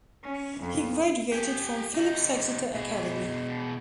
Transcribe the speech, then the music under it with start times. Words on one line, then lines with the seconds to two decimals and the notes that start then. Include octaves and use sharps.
He graduated from Phillips Exeter Academy.
0.24 C#4
0.61 F2
1.32 G4 G#5
1.95 C3 D#4
2.75 B2 G#4